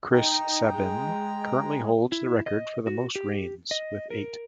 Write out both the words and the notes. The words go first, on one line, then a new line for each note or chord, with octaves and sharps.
Chris Sabin currently holds the record for the most reigns, with eight.
D#4 G5 A#5
G#3
E4
D#5
F#4
G4
D#5
A#4